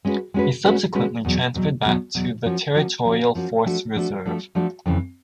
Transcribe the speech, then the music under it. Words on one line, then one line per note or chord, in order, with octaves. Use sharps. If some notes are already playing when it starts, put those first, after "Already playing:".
He subsequently transferred back to the Territorial Force Reserve.
G#3 C#4 F#4 B4
G#3 C#4 F#4 B4
G#3 C#4 F#4 B4
G#3 C#4 F#4 B4
E2 B2 F#3
E2 B2 F#3
E2 B2 F#3
E2 B2 F#3
F3 A#3 C#4 F#4
F3 A#3 C#4 F#4
F3 A#3 C#4 F#4
F3 A#3 C#4 F#4
F3 A3 D4 F#4 A4
F3 A3 D4 F#4 A4
F3 A3 D4 F#4 A4
F3 A3 D4 F#4 A4
F2 C#3 E3